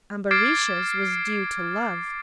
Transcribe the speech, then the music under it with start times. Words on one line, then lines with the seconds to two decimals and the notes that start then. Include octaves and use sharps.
Ambarisha's was due to love.
0.31 D6 F6 G#6 A6 C7 D7